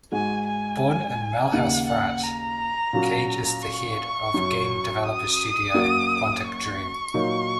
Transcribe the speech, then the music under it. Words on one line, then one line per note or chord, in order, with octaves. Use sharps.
Born in Mulhouse, France, Cage is the head of game developer studio "Quantic Dream".
G#2 G#3 F#4 G#5
G#5
D#2 C#3 A#3 D#4 F#5
F#5
A#5
A#2 F#3 A#3 C#4 F#4
C#6
F#2 F#3 C#4
D#6
F#2 F#3 A#3 F#4 A#4
C#6
A#2 F#3 D#4 A#4 C#5